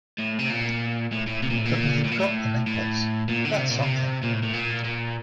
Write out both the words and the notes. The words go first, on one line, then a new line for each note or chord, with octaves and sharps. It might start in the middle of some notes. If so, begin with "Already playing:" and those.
But we have got the necklace — that's something.
A2
C3
A#2
A2
A2
C3
A#2
A2
A#2
A2
A#2
A2
A2
A#2
D3
C3
A#2
C3
A#2
A2
A2
A#2
A#2